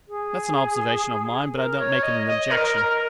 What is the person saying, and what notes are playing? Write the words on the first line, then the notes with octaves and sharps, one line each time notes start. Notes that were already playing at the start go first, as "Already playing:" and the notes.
That's an observation of mine, but I don't make it an objection.
G#4
A#4
C#5
D#5
D#5
A#4
A#4